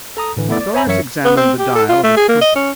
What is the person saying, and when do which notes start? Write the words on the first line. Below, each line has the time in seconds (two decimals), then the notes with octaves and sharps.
Carthoris examined the dial of his compass.
0.17 A4 A#5 D#6
0.36 A2 D3 E3
0.49 A3 B3 E4 A4 D5
0.61 D5
0.74 C5 C#5 E5 G#5 A#5 B5
0.87 F#2 E3 A#4 C#5 E5 C#7
1.25 B3
1.37 C4
1.59 G4
1.75 A4
1.89 F4
2.03 A3
2.17 G#4
2.29 A#3
2.41 D#5
2.56 C#4